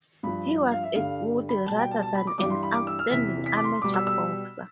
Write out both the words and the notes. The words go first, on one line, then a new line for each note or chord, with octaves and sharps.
He was a good rather than an outstanding amateur boxer.
G2 F3 B5
F5
E5
G2 D3 G3 F5
B5
B2 G3 A5
G5
A5
A5
B5
D6
G2 E3 G3 D6
C6
B5
D6
E6
F6
E2 C3 E3 B6
B6
D6
C6
B2 G3 D6
E6
E6